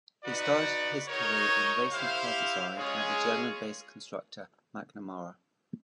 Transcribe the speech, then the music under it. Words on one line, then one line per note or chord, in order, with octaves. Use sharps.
He started his career in racing car design at the German-based constructor McNamara.
D#4 F#4 B4 D5
D#4 F#4 A#4 C#5
E4 G4 C5 F5
G#3 C#4 F4 G#4 C#5